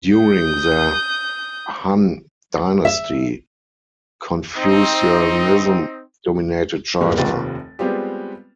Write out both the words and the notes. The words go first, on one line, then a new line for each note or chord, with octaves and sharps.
During the Han dynasty Confucianism dominated China.
D#6 G6
E5
C4 D#4
G#2 C3 E3 G3 A#3
F1 D#2 C3 F4 B4 A6
G3 G#3 B3 C4 F4 G4